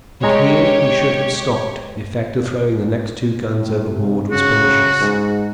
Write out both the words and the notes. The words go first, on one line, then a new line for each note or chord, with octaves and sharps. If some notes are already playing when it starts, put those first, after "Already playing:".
But here he should have stopped; the effect of throwing the next two guns overboard was pernicious.
G#3 G4 C#5 A#5
A2
C3
C#3 F#4
G#2